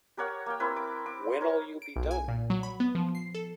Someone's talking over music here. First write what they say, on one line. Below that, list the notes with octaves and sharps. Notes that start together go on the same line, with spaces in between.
When'll you be done?
G4 A#4 C#5 F#5
A#3 G5
C4 E4 A#4 B4
D6
D6
A#4 C#5
D7
B1
G#5
A#2
F#3
B5
B3
F3
C7
A4